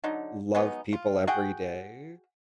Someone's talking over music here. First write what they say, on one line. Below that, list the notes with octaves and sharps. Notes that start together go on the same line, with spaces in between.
love people every day,
D3 F#3 D#4
F#3 G#3 B3 D#4
F4
F#4 G#4 F#5 G5